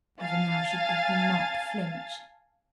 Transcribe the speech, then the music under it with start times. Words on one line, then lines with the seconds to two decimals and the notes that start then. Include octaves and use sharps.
Even now she did not flinch.
0.22 F5 G#5 A5 A6